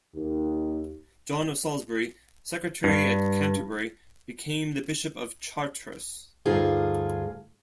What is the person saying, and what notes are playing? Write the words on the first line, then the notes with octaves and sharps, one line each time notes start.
John of Salisbury, secretary at Canterbury, became the bishop of Chartres.
D#2
G2
D2 G2 D#4 F4 G#4 F5